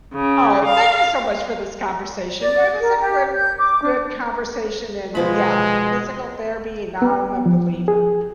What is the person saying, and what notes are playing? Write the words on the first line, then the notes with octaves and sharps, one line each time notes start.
Oh, thank you so much for this conversation. It was a good good conversation and yeah, physical therapy, and now I'm a believer.
C#3
F5
D5
A#4
G4
G6
D6
D4
B2 F3 G#3 B5
B3
F3
G#4